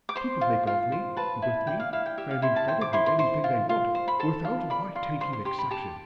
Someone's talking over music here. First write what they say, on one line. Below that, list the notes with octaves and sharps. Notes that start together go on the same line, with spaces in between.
People make of me, with me, and in front of me anything they want, without my taking exception.
D6
C5 C6
F4
F4
C5
B4 A5
E4
D5 G5
F5
E4 F5
G5
G4 E5
F5
E4 C6
A5
C5 G5
D6
E4 C6
C6
C5 C6
F4
F4
C5
B5
A4 A5
F4
D5 B5
F4 C6
C5 C6
C6
G4 C6
B5
G4 A5